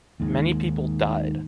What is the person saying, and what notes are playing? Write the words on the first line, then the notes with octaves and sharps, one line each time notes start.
Many people died.
D#2 G#2